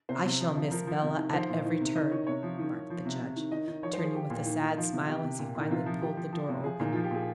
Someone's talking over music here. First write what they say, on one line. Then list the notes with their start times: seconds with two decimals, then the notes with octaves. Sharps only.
"I shall miss Bela at every turn," remarked the judge, turning with a sad smile as he finally pulled the door open.
0.09 C3 C5
0.25 C3
0.40 F3
0.56 F3
0.71 F3 A#4
0.87 F3
1.03 C3
1.18 D#3
1.33 F3 C5
1.49 A#2
1.65 D#3
1.81 C3
1.95 D#3 D#5
2.11 D#3 C#5
2.27 C3 C#5
2.43 F3
2.59 D#3
2.74 D#3
2.90 F3
3.05 C3
3.21 C3
3.36 D#3
3.51 D#3 D#5
3.67 D#3
3.83 F3 C#5
3.93 C5
3.99 F3
4.04 G#4
4.15 F3 G4
4.30 A#2
4.45 D#3
4.61 D#3
4.77 F3 F4
4.93 C3
5.08 C3 G4
5.23 C3
5.39 A#2
5.55 A#2
5.60 D#4
5.71 C3 F4
5.86 F3
6.01 F3 G4
6.17 F3
6.33 F3
6.49 C3
6.64 F3 G#4
6.80 A#2 D#4
6.92 F3 F4
7.04 G4
7.11 A#2 G#4